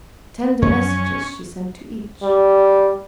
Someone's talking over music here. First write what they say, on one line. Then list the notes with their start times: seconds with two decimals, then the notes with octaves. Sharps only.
Tender messages she sent to each.
0.62 F#2 F3 F#3 C#4
2.23 G3